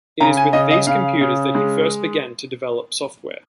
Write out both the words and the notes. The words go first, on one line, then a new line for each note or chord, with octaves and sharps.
It is with these computers that he first began to develop software.
C#3 A#5
G#5
C#3 D#5
D#5
C#3 F5
C#3
G#3